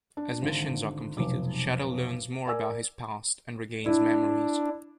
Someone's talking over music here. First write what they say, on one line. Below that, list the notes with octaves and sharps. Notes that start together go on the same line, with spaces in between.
As missions are completed, Shadow learns more about his past and regains memories.
D4
G#1 D3
F1 B1 D6
A#4 D5 G#5 E6
D4 E4